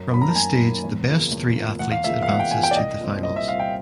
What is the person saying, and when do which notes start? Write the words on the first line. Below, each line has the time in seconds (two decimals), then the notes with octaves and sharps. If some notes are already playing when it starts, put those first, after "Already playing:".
From this stage the best three athletes advances to the finals.
Already playing: F#2
0.12 D#3 F#3 A#3 B5
0.21 A#5
0.29 A5
0.36 F#2 G#5
0.60 D#3 F#3 A#3
0.84 E2
1.08 C#3 F3 A#3
1.32 E2
1.56 C#3 F3 A#3
1.79 E2 F#5
1.91 F5
2.04 C#3 F3 A#3 E5
2.23 F5
2.27 E2 F#5
2.40 G5
2.51 C#3 F3 A#3 G#5
2.63 G5
2.71 D5
2.76 C2 D#5
2.99 A#2 G3 C4
3.23 C2 D#5
3.36 E5
3.48 A#2 G3 C4 F5
3.60 G5